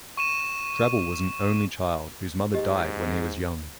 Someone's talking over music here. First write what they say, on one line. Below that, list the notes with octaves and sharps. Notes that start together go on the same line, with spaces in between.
Drabble was an only child, whose mother died when he was young.
C#6 D#7 E7
G#2 G4 D#5